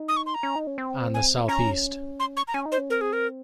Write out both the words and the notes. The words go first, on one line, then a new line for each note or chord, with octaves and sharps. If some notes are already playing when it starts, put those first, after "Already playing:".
On the Southeast.
Already playing: D#4
D#6
C#6
C6
A#5
C#4
D#4
C#4
C4
G#5
C#4 A#5
C6
C#6
A#5
C#4 G#5
D#4
C5
C#4
C4 A#4
G#4
A#4